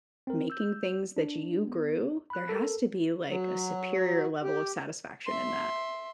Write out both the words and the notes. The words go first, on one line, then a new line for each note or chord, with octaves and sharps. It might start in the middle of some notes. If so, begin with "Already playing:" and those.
making things that you grew, there has to be, like, a superior level of satisfaction in that.
C4 A#4
E6 G6
D4
B3
B5 F#6
A4 A#4
F#3
G4
E5 C6